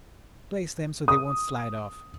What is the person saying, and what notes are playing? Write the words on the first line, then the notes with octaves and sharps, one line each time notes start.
Place them so they won't slide off.
D#6